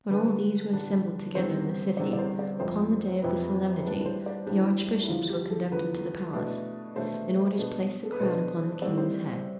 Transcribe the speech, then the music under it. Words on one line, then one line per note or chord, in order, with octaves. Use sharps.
When all these were assembled together in the city, upon the day of the solemnity, the archbishops were conducted to the palace, in order to place the crown upon the king's head.
D3 G3 D4 B4
D3 G3 D4
E2 D3 G3 C4 C5
E2 D3 G3 C4 D5
D5
C5
D5
F2 C3 F3 C4 C5
F2 C3 F3 C4 B4
A2 G3 D4 B4
C5
D5
A2 G3 D4 G4
E4
E2 D3 F3 F4
G4
A4
E2 D3 F3 B4
B2 A3 D4
B2 A3 D4 C5
B2 B3 D4
A4
B4
B2 B3 D4 C5
A2 E3 G3 C4 D5
C5